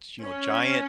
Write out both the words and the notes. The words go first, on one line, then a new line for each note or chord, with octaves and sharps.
you know, giant
C#4